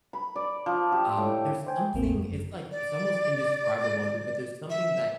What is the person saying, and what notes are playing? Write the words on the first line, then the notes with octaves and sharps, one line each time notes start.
Um, there's something it's, like it's almost indescribable, b but there's something that
B5
D5
F3
G4
A2
C5 G5 G#5
A1 E2 A#3 C4
F#2
D5
E5